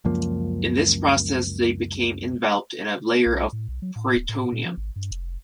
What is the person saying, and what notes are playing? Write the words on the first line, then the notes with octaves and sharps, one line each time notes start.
In this process they become enveloped in a layer of peritoneum.
C#2 F#2 F3 A#3
B1
A2
B1
F#3
A2
D1
A2
A#2
F3
G#1
G2
F1